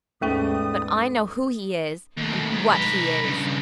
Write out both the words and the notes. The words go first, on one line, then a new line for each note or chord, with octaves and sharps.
But I know who he is and what he is.
D#2 G#2 A3 B3 C#4 D5 G5 D#6
D#2 A2
G#2
D#4 B4
G2 C#3